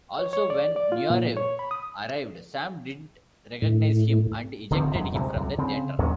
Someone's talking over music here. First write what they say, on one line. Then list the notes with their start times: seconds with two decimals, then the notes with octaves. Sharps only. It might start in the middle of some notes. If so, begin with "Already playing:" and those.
Also when Nureyev arrived, Sam didn't recognize him and ejected him from the theater.
0.19 C#5
0.33 C#5
0.50 D5
0.76 D5
0.92 F4
1.10 A#2
1.37 C#5
1.59 B5
1.71 D#6
3.62 A2
4.70 D1 D3 F3 C4
4.95 F2 F#3 G#3
5.13 A#1 E2 C3 G#3
5.34 C#2 F#2 C3
5.58 C#3 C4
5.98 D#2 A#2 F#3 C#4